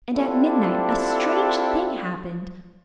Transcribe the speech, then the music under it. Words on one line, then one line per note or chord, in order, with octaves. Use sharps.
And at midnight a strange thing happened.
C4 D4 E4 F4 G4 A4